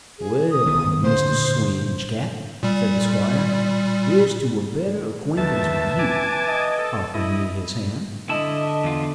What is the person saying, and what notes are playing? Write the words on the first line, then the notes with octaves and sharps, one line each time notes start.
"Well, Mr. Swinge-cat," said the 'squire, "here's to a better acquaintance with you," offering me his hand.
G#4
D#6
D#3 B3
A#2 D3 C5
A#2 G3
D#2 B4 E5 A5
G#5 A5 D6
D#5
A4
E4 D#5
D3 E4 D#5 E5 A5
E2 F4